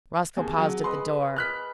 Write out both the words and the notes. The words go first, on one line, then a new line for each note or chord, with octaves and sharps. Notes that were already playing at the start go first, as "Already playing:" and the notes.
Roscoe paused at the door.
D#2 G#4
F#3
B4 D#5 E5 C6
D#5 F6 F#6 B6